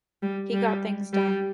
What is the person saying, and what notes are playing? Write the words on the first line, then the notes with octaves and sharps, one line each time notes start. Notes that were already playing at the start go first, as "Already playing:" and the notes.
He got things done.
G3
G3
G3